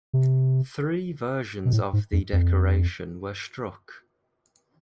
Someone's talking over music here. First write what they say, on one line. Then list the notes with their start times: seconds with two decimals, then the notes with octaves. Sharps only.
Three versions of the decoration were struck.
0.13 C3
1.65 B2
1.73 A2
1.93 G#2
2.13 F2
2.33 F2